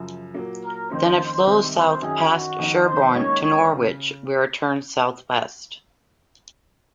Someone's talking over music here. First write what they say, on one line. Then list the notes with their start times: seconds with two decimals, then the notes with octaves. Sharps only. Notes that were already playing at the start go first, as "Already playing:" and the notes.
Then it flows south past Sherburne to Norwich, where it turns southwest.
Already playing: F#2 C#3 F3
0.34 A#2 F#3 A#3
0.62 A#4
0.90 F2 D#3 A#3 C#4 C5
1.46 C2 C3 D#3
1.75 C5
2.02 F#2 D#3 F#3 C#4 G#4
2.31 F#4
2.59 F2 D#3 A#3 D#4
2.87 C5
3.14 D#2 D#3 G#3 C#4 C#5
3.43 C#5
3.72 C#3